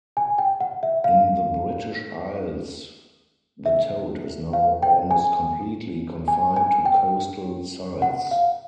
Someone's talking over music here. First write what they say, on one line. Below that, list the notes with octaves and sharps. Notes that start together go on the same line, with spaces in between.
In the British Isles the toad is now almost completely confined to coastal sites.
G#5
G5
F#5
E5
F5
E5
F5
G5
G#5
G#5
G#5
G5
F#5
F5